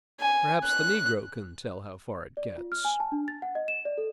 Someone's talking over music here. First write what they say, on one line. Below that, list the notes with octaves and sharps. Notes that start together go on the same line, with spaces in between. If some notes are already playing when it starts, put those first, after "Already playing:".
Perhaps the negro can tell how far it gets.
G#5
F#6
D5
F4
F6
G#5
A5
D4
A6
F#5
D#5
E7
D5
A4